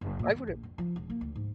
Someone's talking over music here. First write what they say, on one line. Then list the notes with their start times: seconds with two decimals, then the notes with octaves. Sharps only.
I would've
0.01 F#1
0.19 A#2
0.33 E3
0.47 A#1
0.63 F2
0.78 F3
0.96 E1
1.10 A#3
1.21 D2
1.36 G#2